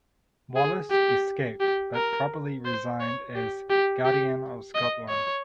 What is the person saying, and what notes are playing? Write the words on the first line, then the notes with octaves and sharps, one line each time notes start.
Wallace escaped but probably resigned as Guardian of Scotland.
G#4
G4
G4
A#4
C5
C#5
G4
G4
G4
D#5
C#5